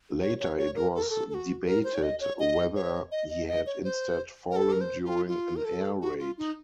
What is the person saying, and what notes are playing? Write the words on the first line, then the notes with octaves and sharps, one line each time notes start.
Later it was debated whether he had instead fallen during an air raid.
C#5
C#5
C#5
A#4
A4
A#4
A4
A4
F#4
A#4
C5
C#5
D#5
C#5
D#5
C#5
D#5
D#5
D#5
C#5
C5
A#4
A4
A#4
C5
F4
F4
A#4
A4
F#4
F4
D#4